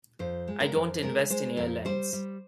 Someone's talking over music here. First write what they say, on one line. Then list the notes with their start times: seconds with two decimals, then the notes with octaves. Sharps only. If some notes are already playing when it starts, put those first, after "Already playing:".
I don't invest in airlines.
0.19 F2 C5
0.48 G#3
0.61 A#4
0.74 F2
1.02 G#3 A#4
1.30 G#3 C5
1.57 F2 A#4
1.85 G3 C5
2.13 G3